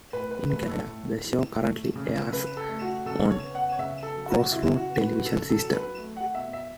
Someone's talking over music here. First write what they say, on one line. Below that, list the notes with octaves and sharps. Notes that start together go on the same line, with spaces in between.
In Canada, the show currently airs on Crossroads Television System.
A2 B4
B4
A3 B4
A4
A2
E3
A3
C#3
C#3 B4
A4
A3
F#4
C#3 A4
C#5
B3
F#5
C#5
C#3 E5
A4
F#3
F#4
C#3 E4
F#4
B3
B4
F#4
C#3 A4
A4
F#3
B4
A3
F#5
B2 E5
E5